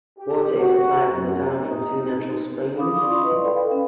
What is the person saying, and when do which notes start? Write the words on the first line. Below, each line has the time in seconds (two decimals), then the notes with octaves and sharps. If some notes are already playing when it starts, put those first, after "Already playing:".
Water is supplied to the town from two natural springs.
0.18 G4
0.58 F#4
1.11 F#2
1.62 D#4
2.76 C#4 F5 B5 D6 D#6
3.01 E4 F4 D5 C6 C#6 D#6
3.20 B4 D5 D#5
3.44 A4 B4 F5 G5 B5
3.71 C#4